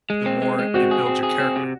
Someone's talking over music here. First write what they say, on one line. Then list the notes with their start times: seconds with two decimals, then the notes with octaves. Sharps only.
the more it builds your character,
0.10 G#3
0.26 C4
0.42 G#3
0.59 G#3
0.74 C4 F#4
0.91 G#4
1.06 C4
1.23 G#4
1.40 C4
1.56 C3